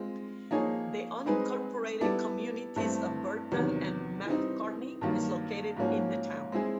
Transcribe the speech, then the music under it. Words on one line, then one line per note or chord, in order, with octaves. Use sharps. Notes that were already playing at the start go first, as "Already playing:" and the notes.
The unincorporated communities of Burton and McCartney is located in the town.
Already playing: G#3 C4 F4
F3 A#3 D#4 G#4 C#5
G#3 C4 D#4 G#4 B4
G3 B3 E4 A4 D5
G2 E3 A3 C4
E2 C3 D#3 F#3 B3
E3 G3 C4 D#4
G2 D#3 F#3 A#3
G#2 F3 A#3 C#4 F#4
G#3 C4 E4 G#4